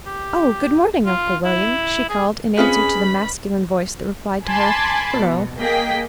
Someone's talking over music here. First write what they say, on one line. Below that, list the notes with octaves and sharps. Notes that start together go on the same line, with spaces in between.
"Oh, good morning, Uncle William," she called, in answer to the masculine voice that replied to her "Hullo."
G4
F4
E4
G#4
C4 C#4 F4 G#4 B4 D#5 F5 B5
G#5 A5 B5 C6 D6
B2
A#3 G#4 D#5 G5 B6